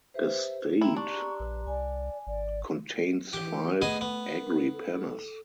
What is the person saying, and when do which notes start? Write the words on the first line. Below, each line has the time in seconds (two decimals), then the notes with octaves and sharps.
A stade contains five agripennes.
0.14 G4 B4 C5 E5
0.81 E4 G4 G5 A#5 C6
0.96 D4 C#6
1.40 A#1 B4
1.67 C2 D5 G#5
2.27 G#1 D5
3.33 E3 G4
3.82 A3 B3 G#4 D#5
4.01 B3
4.40 A#4
4.72 A4